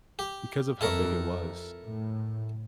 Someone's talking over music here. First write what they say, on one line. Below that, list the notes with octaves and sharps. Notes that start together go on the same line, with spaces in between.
because of how big it was
G4
F2 E4 A4 A#4
A2